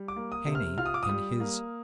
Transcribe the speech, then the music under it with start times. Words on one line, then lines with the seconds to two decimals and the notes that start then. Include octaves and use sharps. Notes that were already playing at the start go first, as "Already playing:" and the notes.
Heine in his.
Already playing: G3
0.08 D6
0.16 A#3
0.32 D#6
0.47 C3
0.55 F6
0.78 F4 F6
0.86 D#6
0.94 D6
1.03 D#6
1.09 G3
1.40 A#3